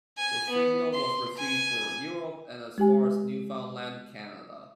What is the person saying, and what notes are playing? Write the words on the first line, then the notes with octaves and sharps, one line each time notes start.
The signal was received throughout Europe and as far as Newfoundland, Canada.
G#5
B3
C6
G#5
G#3 G4 G#5